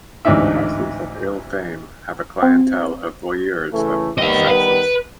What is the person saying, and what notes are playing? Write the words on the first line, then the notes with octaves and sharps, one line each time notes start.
The houses of ill-fame have a clientele of voyeurs of both sexes.
A1 D2 G#2 D4 D#4 E5
C4
C#3 E3 A3
D#3 G3 B3 D#5 F5
B4